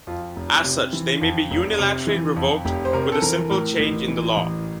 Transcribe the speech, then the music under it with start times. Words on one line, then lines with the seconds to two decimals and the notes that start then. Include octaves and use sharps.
As such they may be unilaterally revoked with a simple change in the law.
0.07 F2 F4
0.36 F1
0.64 C3
0.93 E3
1.21 F2
1.50 F1
1.79 C3
2.07 E3
2.36 F2
2.65 F1 G4
2.85 C5
2.93 C3 A#4
3.12 A4
3.22 E3 A#4
3.51 A2 A#4
3.79 A1
4.08 E3
4.36 A1